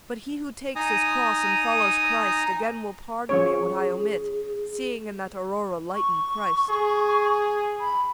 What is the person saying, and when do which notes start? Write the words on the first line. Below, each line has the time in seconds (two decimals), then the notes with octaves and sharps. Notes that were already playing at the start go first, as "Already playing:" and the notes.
But he who takes his cross and follows Christ Again will pardon me what I omit, Seeing in that aurora lighten Christ.
0.76 D#4 G#5 A#5 D#6
3.29 F3 C#4 G#4 C#5
5.94 C#6
6.70 G#4
7.80 B5